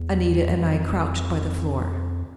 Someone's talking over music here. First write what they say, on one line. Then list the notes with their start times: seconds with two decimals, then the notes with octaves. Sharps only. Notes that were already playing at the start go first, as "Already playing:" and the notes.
Anita and I crouched by the floor.
Already playing: E2
0.49 F2